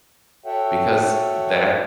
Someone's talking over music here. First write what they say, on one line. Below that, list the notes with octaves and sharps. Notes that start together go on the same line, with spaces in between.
because that
F#4 A4 C#5 E5 F#5 G5